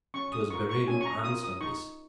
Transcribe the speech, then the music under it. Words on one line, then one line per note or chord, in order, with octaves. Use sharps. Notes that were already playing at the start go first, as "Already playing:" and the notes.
It was Beryl who answered this.
C#4 C#6
D#6
F4 A#4 C#6
C#6
C#4 G#5
C#6
A#5
F4 A#4 D#6
D#6
D#4 C#6